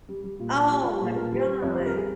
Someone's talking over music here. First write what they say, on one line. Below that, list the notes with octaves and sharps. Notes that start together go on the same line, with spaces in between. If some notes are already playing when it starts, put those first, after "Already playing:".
Oh my god!
G3
G3
A#2
A#2
G3
F4
G3
G4
A#2 G#4
A#2 A#4
G3
C5
G3
F2 C#5
C5
G3
A#4
G#4